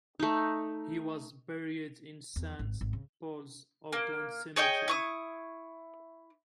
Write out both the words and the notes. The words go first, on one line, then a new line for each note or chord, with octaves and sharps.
He was buried in Saint Paul's Oakland Cemetery.
A3 D#4
E2
G#1
G#1
C#3
A#3
G#4 C#5 D#5 G5
E4 C#6 D#6